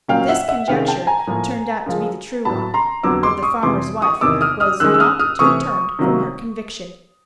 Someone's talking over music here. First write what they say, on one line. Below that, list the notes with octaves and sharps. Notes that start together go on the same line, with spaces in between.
This conjecture turned out to be the true one, but the farmer's wife was not to be turned from her conviction.
A#2 F#3 A#3 C#4 F5 G5
E5 F#5
E5 F#5
C3 D#3 G#3 C#4 F5 G5
G5 A5
G#5 A#5
A2 F3 A#3
F#2 C#3 F3 G#3
A2 F#3 B3 A5 B5
A#5 C6
F2 D3 F#3 B3 D6 E6
C6 D6
C#6 D#6
F2 C3 E3 C6 D6
C#6 D#6
E2 C3 D#3 D6 E6
D#6 F6
D#6 F6
F#2 D#3 G#3 E6 F#6
E6
D#6 F6
D#6 F6
C3 E3 A3 C4 C#6 D#6
C3 D#3 F#3 A#3